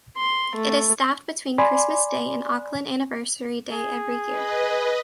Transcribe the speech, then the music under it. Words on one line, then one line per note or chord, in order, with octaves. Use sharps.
It is staffed between Christmas Day and Auckland Anniversary Day every year.
C6
A3
D5 G#5 B5 C6 D6
G#4
B4 D#5